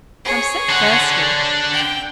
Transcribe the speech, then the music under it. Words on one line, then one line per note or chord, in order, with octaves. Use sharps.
"I am so thirsty."
G#4 C#5
D4 F#5
G5